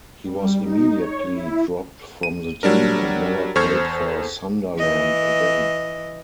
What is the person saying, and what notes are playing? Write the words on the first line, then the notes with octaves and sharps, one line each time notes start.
He was immediately dropped from the team, and never played for Sunderland again.
G3
D#4
C#5
E4
D#7
F#3 G3 D4 A#4
E2 A4 C5 C#6 F6 G#6
E3 D#5